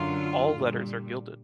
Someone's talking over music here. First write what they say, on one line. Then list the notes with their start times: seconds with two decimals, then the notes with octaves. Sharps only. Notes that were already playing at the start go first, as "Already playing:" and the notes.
All letters are gilded.
Already playing: F#2 D3 F#3 F4
0.53 A#2 G3